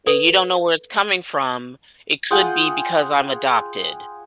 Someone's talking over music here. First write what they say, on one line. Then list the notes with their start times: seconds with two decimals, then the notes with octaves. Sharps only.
and you don't know where it's coming from, it could be because I'm adopted."
0.07 A4 B4 D#6
2.31 F4 G#4 F#5 G5